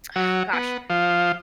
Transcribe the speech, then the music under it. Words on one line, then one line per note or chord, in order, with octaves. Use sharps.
ugh, gosh,
F#3
B3
F3